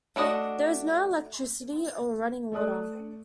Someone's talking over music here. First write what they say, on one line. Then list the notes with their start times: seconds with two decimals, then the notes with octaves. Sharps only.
There is no electricity or running water.
0.16 A3 D4 F#4 D#5 F#5
2.52 A3 A4 D5 D#6 F#6